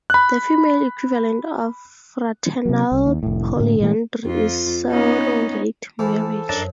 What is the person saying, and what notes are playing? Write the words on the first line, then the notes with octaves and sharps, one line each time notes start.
The female equivalent of fraternal polyandry is sororate marriage.
B5 F#6
C3 F#3
C2
D#2
F1 A2
A2 D3
A#2 E3 A3
F2 F4
B3 C#4 D#4
E3 F3 A4
F#2 D4 A#4 A5